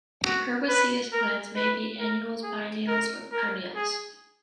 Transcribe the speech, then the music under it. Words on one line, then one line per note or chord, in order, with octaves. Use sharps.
Herbaceous plants may be annuals, biennials or perennials.
F#4
B4
A#4
B4
A#4
G#4
A#4
A#4
G#4